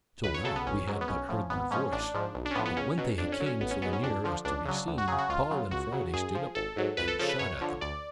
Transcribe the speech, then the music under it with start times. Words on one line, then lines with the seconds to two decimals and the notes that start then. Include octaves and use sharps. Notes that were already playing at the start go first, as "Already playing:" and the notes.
Till now, we had but heard their voice, but when they came so near as to be seen, Paul and Friday stood up and shot at them.
0.24 C#2 B4
0.34 C#5
0.44 C#3 F#3 A4
0.56 B3
0.66 A1 C#4
0.87 G#2 F#3
1.01 B3
1.08 B1 C#4
1.29 A2 F3
1.50 G#1 B3
1.71 G#2 F3 C#4
1.93 A1 D4
2.14 G#2 F3
2.35 B1
2.46 D4
2.51 C#4
2.55 A2 F3 B3
2.65 B3
2.77 C#2 C#4
2.98 B2 F#3
3.18 F2 D4
3.32 C#4
3.40 D3 F#3
3.46 C#4
3.61 A1 B3
3.71 C#4
3.82 G#2 F#3 B3
3.93 C#4
4.03 F2 D4
4.24 D3 F3
4.45 C#2 D4
4.66 C#3 F#3
4.88 D2
4.98 F#4
5.08 C#3 F#3 G#4
5.19 F#4
5.29 C#2 F4
5.51 C#3 F#3
5.71 C#2 F#4
5.92 C#3 F#3
6.14 F#2 G#4
6.35 F3
6.55 G#1 A4
6.76 G#2 F#3
6.97 F2 B4
7.08 A4
7.19 C#3 F3 A4
7.29 B4
7.39 F#2 C#5
7.61 D3 F3
7.81 D2 D5